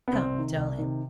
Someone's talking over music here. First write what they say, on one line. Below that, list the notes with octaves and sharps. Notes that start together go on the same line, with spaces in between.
Come, tell him.
B3
C2 C4
C3 D#3
C2
C3 D#3